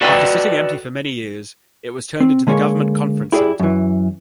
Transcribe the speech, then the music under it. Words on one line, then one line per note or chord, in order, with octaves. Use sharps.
After sitting empty for many years, it was turned into the Government Conference Centre.
F#4 A4 B4 D5 D#5 G5
C4
D3 G#3 A#3 C#5
E4 G4 G#4 C5 D5
F#2 E3